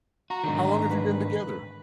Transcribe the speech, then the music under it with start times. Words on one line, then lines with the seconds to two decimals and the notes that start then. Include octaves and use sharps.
How long have you been together?
0.30 F#4 A#5
0.44 G#2 D3 D#3
0.90 B4